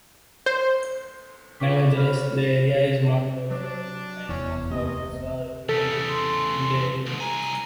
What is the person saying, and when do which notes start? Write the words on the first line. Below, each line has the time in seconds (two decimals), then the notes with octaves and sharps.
Nevertheless, the area is multicultural and most cultures are represented in the area.
0.46 C5
1.60 F4 B4 G5 C#6 D6 B6
1.78 D#5 D6
1.95 F#4 G#4 C5 C#5 B5 F6
3.51 F#3 D4
4.29 F1 E2 C#4
4.71 F1 D2 C3 A#3 D#5
5.69 E2 C#3 A4 B6
6.09 C6
7.06 D#2 G#2
7.20 C2 G#5 A#5